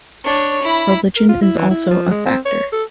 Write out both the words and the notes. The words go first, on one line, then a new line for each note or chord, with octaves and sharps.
Religion is also a factor.
D4 C#5
E4 B5
A#4
F4
E4
E3
E4
F3
G#3
C4
C#5
A4